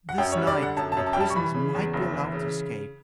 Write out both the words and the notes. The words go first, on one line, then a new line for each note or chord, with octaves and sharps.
"This night the prisoners might be allowed to escape."
F#5
F#2 G5
C#5
G3
D5
D3 F#5
F#2 A5
A5
F#2
A5
G5
G3 A5
C#6
E3 B5
C#3
E2
F#1
E3
C#3